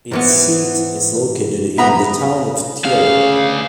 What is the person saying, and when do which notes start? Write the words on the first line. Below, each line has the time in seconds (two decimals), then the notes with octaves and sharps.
Its seat is located in the town of Tierp.
0.11 G#2 E3 B3
1.78 D2 B3 E5 A#5 B5
2.84 D2 C#3 F5